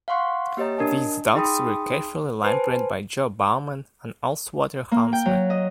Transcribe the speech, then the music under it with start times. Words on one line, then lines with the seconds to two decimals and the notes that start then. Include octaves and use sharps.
These dogs were carefully linebred by Joe Bowman, an Ullswater huntsman.
0.08 F5 F#5 C6 C#6 F#6
0.57 A#3 G4 C#5 D#5 A#5
0.78 D4 A#4 D#5 A5
1.35 D#4 G#4 G5 B5 C6 D#6
2.44 B4 C5 G#5 A5
4.91 A#3
5.13 G5
5.26 F#3
5.50 D#5